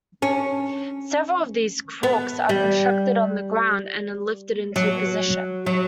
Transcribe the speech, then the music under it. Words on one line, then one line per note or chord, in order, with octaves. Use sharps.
Several of these "crooks" are constructed on the ground and then lifted into position.
C#4
B3
G3
F#3
F#3